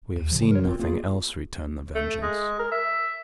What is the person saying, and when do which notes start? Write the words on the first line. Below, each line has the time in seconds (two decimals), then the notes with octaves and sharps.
"We have seen nothing else," returned The Vengeance.
0.16 D#2
0.31 A#2 C#3 F3
0.51 A#4 C#5
0.64 G1 C4 F4
0.80 A#3 F4 G#4
1.95 A3
2.22 G#3
2.59 A#4
2.72 E5